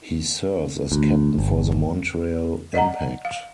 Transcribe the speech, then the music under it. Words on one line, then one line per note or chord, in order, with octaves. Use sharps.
He serves as captain for the Montreal Impact.
D2
G1
D5 D#5 F#5 A#5
F5